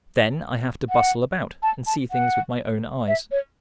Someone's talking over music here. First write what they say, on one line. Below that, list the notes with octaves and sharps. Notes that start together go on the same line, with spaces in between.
Then I have to bustle about and see things with my own eyes.
F#5
A5
A5
F#5
E5
C#5